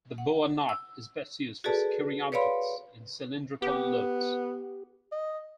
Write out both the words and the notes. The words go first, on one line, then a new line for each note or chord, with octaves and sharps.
The boa knot is best used for securing objects in cylindrical loads.
F#5
E6
F#4 G#4 A4 B4 D5 A5
B4 C#5 D5 F5 B5 C6
B3 G4
D#5